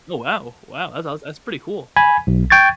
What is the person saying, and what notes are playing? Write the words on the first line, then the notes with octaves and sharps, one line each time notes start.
Oh wow, wow, that's awes that's pretty cool.
G#5 B5 G#6
B1
G5 C#6 G#6 A6